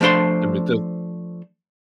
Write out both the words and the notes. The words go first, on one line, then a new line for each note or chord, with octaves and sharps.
I meant the
F3 A3 D4 C5 C6